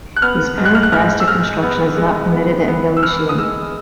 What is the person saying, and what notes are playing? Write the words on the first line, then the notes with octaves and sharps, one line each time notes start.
This periphrastic construction is not permitted in Galician.
F#6
B3 F6
G#2
F#6
F6
F#6
G#2 F6
E6
G#3 F6
B3
G#3
B3
B3
E6
E3 F6
D#6
G#3 E6